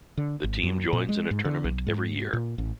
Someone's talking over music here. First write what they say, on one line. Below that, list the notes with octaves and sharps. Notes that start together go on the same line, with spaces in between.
The team joins in a tournament every year.
D3
G#1
F#2
A#2
G#3
G#2
D3
B1
G#2
A#2
A1